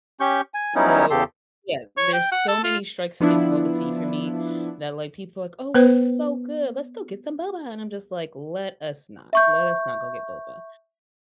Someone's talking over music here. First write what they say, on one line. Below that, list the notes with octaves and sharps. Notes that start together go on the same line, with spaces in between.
so, yeah, there's so many strikes against boba tea for me that, like, people are like, "Oh, it's so good. Let's go get some boba," and I'm just like, "Let us not, let us not go get boba.
C#4 G4 C#6 G6
G#5
F#3 G3 B3 C#4 D#4 E4
E2 C#3 G4 A4 C6
C#5
G5
F#5
A4
F4
F3 B3 D4 E4
B3 B4 C5
E5 C#6 G6